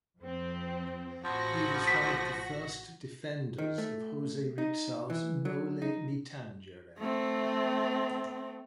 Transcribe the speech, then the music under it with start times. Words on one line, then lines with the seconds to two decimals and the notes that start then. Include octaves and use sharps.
He was one of the first defenders of Jose Rizal's "Noli Me Tangere".
0.19 F2 F3 C4
1.25 A1 F3 F#4 A#6
1.87 B6
3.58 D#3
3.78 A3
4.58 D#4
5.10 E3
5.45 F#3
5.82 D#4
6.98 A3 C4